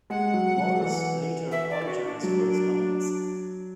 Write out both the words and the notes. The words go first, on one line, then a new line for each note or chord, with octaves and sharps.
Morris later apologized for his comments.
G#3 F#5
F#3
F#3
E3
E5
D5
E4
F#4
D4
F#3